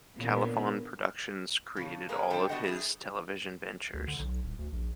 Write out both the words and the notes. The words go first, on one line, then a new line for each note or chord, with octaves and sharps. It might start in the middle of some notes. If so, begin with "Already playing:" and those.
Califon Productions created all of his television ventures.
A#2 D3 E3 B3 C#4
A2 C#3
A#3 G#4 A#4 B4
A2 D3 G3 A4 C5 G5
B3 D4 F#4 G4 D#5 F#5
G3 A3 G#4
D2
D3
B1
D1
D2
A#1